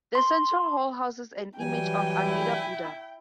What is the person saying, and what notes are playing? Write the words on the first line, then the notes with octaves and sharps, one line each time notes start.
The central hall houses an image of Amida Buddha.
C6
E3 F#3 G3 G5 G#5
E4